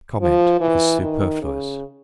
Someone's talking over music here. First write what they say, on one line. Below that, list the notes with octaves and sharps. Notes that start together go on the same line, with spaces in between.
Comment is superfluous.
F3
E3
D#3
C#3